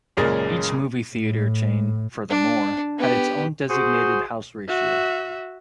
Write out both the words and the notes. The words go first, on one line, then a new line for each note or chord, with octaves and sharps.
Each movie theater chain, furthermore, had its own designated house ratio.
F#1 A#2 C#3 G#3 A#4 A6
A2
D4
B3 G4
F#4 G#4 C5
F#4 E5